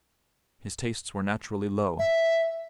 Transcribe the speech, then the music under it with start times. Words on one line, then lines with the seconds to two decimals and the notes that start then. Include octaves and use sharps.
His tastes were naturally low.
1.99 E5